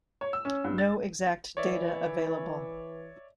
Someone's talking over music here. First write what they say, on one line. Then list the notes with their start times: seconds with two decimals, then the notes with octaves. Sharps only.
No exact data available.
0.21 C#5
0.33 E6
0.45 C#4
0.64 G2
0.78 A6
1.57 E3 C#5 D5 E5